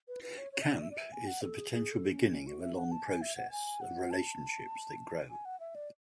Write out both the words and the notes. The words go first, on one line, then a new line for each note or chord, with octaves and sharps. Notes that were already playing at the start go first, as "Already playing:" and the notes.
Camp is the potential beginning of a long process, of relationships that grow.
B4
B4
C#5
C#5
E5
D5
E5
D5
E5
G#5
F#5
A4
G#4
G#4
A4
C#4
C#4
F#4
E5
F#5
A5
G#5
E5
F#5
G#5
F#5
A5
G#5
F#5
E5
D5